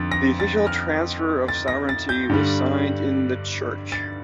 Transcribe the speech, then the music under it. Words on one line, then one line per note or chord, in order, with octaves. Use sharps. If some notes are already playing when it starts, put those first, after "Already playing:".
The official transfer of sovereignty was signed in the church.
Already playing: F2 D3 A6
A#6
A6
F6
A6
A#6
A6
G6
G2 D3 G3
A6